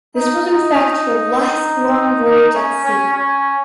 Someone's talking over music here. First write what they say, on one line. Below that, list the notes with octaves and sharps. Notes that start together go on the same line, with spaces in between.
This was in fact her last long voyage at sea.
D#4
D#4
D#4
C#4
C#4
C#4